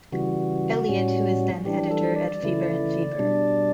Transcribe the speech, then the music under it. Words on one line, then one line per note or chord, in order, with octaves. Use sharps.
Eliot, who was then editor at Faber and Faber.
C#3 E3 G3 F#4
A2 G3 C#4
E3 G3 D4 G4
A4
D5
C#3 E3 A3 E4
B2 G3 D4